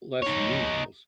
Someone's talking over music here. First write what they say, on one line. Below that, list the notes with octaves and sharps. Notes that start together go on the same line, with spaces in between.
less meals,
D#4 C#5